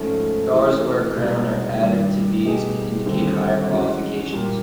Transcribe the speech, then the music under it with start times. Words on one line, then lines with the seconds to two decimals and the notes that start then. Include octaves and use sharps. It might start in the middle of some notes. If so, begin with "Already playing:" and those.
Stars or a Crown are added to these to indicate higher qualifications.
Already playing: G#2 F3 A3 C#4
0.53 E3 A3 C4
1.16 C2 B2 G#3 B3 D#4
1.79 G2 D#3 G3
2.43 B2 G3 B3 D#4 G#4
3.06 D#2 D3 G3 C4
3.69 E3 G#3 C#4 F#4
4.33 A#2 G3 A#3